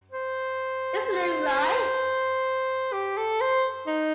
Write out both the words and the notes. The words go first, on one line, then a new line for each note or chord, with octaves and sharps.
Isn't it right?
C5
C5
G4
A4
C5
D#4